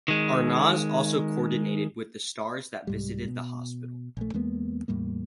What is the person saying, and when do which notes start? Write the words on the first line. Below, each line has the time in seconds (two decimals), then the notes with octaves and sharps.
Arnaz also coordinated with the stars that visited the hospital.
0.08 D#3 G#3
2.87 C2 G#2 G3
3.28 B2
4.17 A#1 A3
4.34 E2 G#3 A#3 B3
4.88 E2 A2 G3 A#3